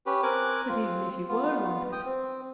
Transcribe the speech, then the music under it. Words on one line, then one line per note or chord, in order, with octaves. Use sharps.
"But even if you were wanted--?"
C#4 G4 B4
C4 A#4 G#5 D6 F#6
C4 F4
B3 F4
G5 D#6
C4